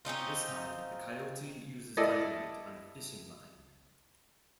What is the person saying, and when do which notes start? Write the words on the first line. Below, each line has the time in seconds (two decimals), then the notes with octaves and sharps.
This time, the Coyote uses dynamite on a fishing line.
0.05 C4 C#4 D#4 F4
1.97 E4 A4 D5 D#5